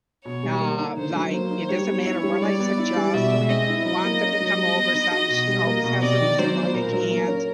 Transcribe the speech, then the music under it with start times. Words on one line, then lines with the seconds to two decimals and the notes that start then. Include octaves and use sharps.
Uh, like, it doesn't matter what I suggest or hey want them to come over some, she's always has a reason why they can't,
0.25 B2 C#5
0.43 G3
0.61 A#3
0.79 D#4
0.97 D3 C5
1.16 F#3
1.33 A#3 C5
1.51 D#4
1.69 G3 C#5
1.87 B3
2.05 E4 C#5
2.23 G3
2.41 G3 D5
2.60 B3
2.78 E4
2.96 G3
3.13 B2 E5
3.32 G#3
3.49 C4 D#5
3.68 E4
3.85 F#3 D#5
4.04 A#3
4.22 C#4
4.40 F#3
4.58 G3
4.76 B3
4.93 D#4
5.11 F#4
5.30 B2
5.48 G3
5.67 A#3
5.84 B2
6.02 C3 D5
6.21 D#3
6.39 F#3 C5
6.56 B3
6.74 A#2 A#4
6.93 F#3
7.10 A#3
7.28 C#4